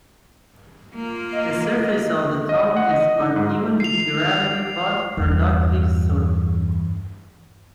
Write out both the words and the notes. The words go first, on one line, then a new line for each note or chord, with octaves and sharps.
The surface of the town is uneven with gravelly but productive soil.
A#3 F4
D#5
D#5
F#5
D#5
D#4
G#2
C7 F7
E2 G2